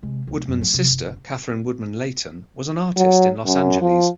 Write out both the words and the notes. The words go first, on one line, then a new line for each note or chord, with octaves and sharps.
Woodman's sister, Kathryn Woodman Leighton, was an artist in Los Angeles.
C3 G#3
D2
F#2
F#3
C3
F#1
F#3
F#2
F3